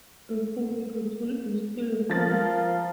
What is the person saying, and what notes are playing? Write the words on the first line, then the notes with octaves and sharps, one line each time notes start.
A fool with a tool is still a fool.
F3 F4 A#4 A6